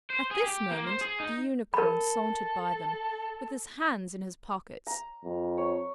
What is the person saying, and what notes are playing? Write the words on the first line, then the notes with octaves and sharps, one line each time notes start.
At this moment the Unicorn sauntered by them, with his hands in his pockets.
C5
G#4
G4
A#3
C5
G#4
D#4
A4 A#4 B5
A#5
F2
C#5